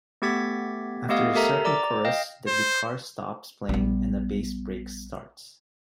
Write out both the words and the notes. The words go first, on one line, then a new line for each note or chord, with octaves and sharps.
After the second chorus the guitar stops playing and a bass break starts.
A3 B3 G4 G#6 A6 B6
A3 B3 G4 D#5 F5 D#6
G4 A4 A#4 E5 A#5
D5 A#5 D6 A6
D#5 F5 G5
C5
A#1 G3 B3